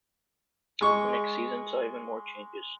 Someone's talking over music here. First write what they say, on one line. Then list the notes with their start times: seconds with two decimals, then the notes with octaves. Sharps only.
The next season saw even more changes.
0.81 G#3 C#6